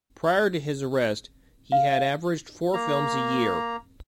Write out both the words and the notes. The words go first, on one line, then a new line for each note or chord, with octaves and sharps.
Prior to his arrest, he had averaged four films a year.
F5
A#3 A#5